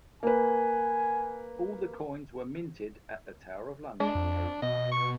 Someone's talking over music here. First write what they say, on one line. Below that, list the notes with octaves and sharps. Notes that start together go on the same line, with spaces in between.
All the coins were minted at the Tower of London.
A#3 B4 G#5
G#3 D4
F2
B2 D#5
C#6